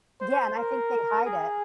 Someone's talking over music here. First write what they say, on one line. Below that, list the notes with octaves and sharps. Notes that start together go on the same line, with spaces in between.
Yeah, and I think they hide it.
C5
A#4
G#4